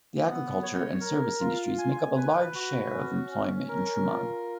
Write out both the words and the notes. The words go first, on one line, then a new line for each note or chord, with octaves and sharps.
The agriculture and service industries make up a large share of employment in Trumann.
B3
C#5
A#4
F4
G#5
B4
F#4
C#4
C#4
A#4
F4